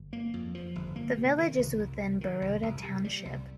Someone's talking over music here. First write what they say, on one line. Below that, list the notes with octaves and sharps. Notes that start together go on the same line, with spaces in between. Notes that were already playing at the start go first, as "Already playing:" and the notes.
The village is within Baroda Township.
Already playing: G1
A#3
F2
F3
G1
A#3
C3
D#3
C2
C2
C3
D#3
C2
C2
C3
G3
C2